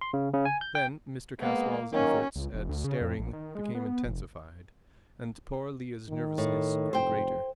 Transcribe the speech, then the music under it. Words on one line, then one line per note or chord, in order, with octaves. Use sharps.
Then Mr. Caswall's efforts at staring became intensified, and poor Lilla's nervousness grew greater.
C6
C#3
C#3
G#5
G6
G5
G#3 A#3 B3
D#3 F#3 A#3 C#4
C#2
F1
D2
C#3
F2
A#1
D#3
G#3
B3
F1
D#3
A2
F1 C5 G5